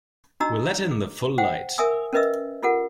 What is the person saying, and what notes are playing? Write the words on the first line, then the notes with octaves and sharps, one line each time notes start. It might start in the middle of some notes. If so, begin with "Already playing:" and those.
We'll let in the full light.
D4 D#4 F#4 D#5 A#5 E6
G#4
C5 F#5 G5
A#4 E5 G#5 D#6 E6
C#4 A#4 B4 D#5 E5 E6
F4 G4 A4 A#4 F#5